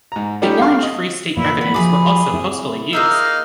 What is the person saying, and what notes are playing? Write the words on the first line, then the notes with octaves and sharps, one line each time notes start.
The Orange Free State revenues were also postally used.
G#2 A#5
G3 A3 C#4 D#4 G4
F5
D#5
A#2 E3 A#3 E4
F#5 B5
F3 F#4 G#4 E5 B5 D6
C4 E4
A#3 D#4 G#4 E5 F5 E6